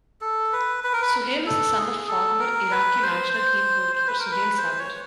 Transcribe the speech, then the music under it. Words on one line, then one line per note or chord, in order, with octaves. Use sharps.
Suhail is the son of former Iraqi national team goalkeeper Suhail Saber.
A4
B4
B4
A#4
B4
A4
G#4
A4
A#4
B4
C5
C5
C5
B4
A#4
B4
C5
C#5